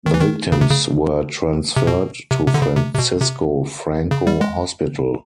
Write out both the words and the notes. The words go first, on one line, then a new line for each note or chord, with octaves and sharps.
The victims were transferred to Francisco Franco Hospital.
D#3
E3
D#3
C#3
C3
C#3
C3
B2
C3
C3
D3
C#3
C3
C3
B2
C3
C#3
G3
G#3